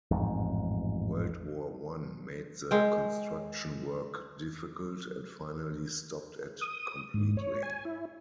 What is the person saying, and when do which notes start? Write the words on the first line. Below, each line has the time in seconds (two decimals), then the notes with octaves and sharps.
World War One made the construction work difficult, and finally stopped it completely.
0.11 A1 F2 G#2
2.71 G#3 G5
6.61 D#6
7.14 G#2
7.37 C#5
7.63 G#5
7.85 E4